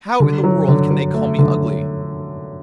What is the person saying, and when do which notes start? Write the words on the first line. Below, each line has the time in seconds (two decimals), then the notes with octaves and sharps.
How in the world can they call me ugly?
0.20 D3
0.44 F#3
0.68 D3
0.91 F#3
1.14 A3
1.39 D3